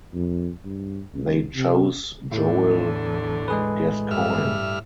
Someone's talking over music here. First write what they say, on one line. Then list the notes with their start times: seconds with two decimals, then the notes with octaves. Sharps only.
They chose Joel Gascoyne.
0.14 F2
0.65 G2
1.14 C#2
1.55 C3
2.32 E2 A2 D3
3.48 G#3 G#4 B4
4.11 G2 E5 F6